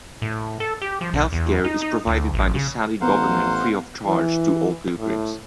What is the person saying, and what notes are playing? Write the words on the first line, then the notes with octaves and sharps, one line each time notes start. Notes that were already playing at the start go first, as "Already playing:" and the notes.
Health care is provided by the Saudi government free of charge to all pilgrims.
A2
A4
G4
F3
B1
E2
D#4
D#4
D2
A1
C#3
A1 B3 C5 F5 F#5 A#5
E3
A2